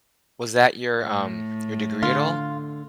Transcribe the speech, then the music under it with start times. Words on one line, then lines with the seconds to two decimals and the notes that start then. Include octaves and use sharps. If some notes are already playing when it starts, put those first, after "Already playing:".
was that your, um, your degree at all
0.99 A2
2.03 D3 F4